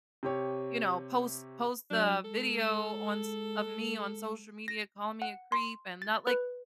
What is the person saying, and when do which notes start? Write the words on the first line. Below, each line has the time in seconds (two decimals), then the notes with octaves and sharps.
you know, post post the video on s of me on social media calling me a creep and not, like"
0.23 C3 G4 C#5
1.91 F#3 D4
2.25 G#3 A4
4.68 A#6
5.22 F#5
5.52 C6
6.02 A6
6.27 B4